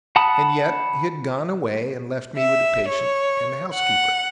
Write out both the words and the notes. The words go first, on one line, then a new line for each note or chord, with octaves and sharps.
And yet he had gone away and left me with the patient and the housekeeper.
F#5 A5 B5 D#6
E5
C#5
F#5